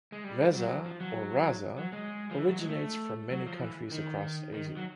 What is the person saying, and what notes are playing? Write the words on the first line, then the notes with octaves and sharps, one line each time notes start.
"Reza" or "Raza" originates from many countries across Asia.
G#3
G3
F#3
F3
F#3
F#3
G#3
F3
E3
F#3
G#3
A3
F#3
F3
E3
D#3
D#3
F#3